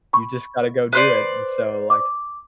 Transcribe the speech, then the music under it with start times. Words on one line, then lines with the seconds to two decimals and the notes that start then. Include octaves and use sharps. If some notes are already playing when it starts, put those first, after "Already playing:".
you just gotta go do it, and so, like,
0.13 B5 C#6
0.93 B4 C5 D5
1.90 D6